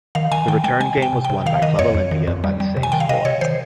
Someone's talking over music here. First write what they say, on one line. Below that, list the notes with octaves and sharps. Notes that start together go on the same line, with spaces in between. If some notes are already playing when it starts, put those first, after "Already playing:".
The return game was won by Club Olimpia by the same score.
D#3 F5
D#3 G#5
D#3 G5
G#3 G5
G#3 G#5
C3
G5
C3
G5
C3
D#3 F5
D#3 D#5
F2 C#5
F2
D#3
F2
G3
G3
C3
G#5
D#3 G5
F5
C3 D#5
C3 C#5
D#3 C5